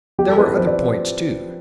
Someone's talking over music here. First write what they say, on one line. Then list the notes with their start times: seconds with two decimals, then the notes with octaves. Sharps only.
There were other points, too.
0.18 F3 G4
0.28 A4
0.37 C4 E4 B4
0.47 B4
0.57 F3 C5
0.67 D5